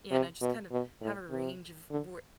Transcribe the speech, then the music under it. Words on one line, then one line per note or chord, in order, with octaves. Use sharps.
Yeah, and I just kind of have a range of where
C3
B2
B2
A2
C3
D3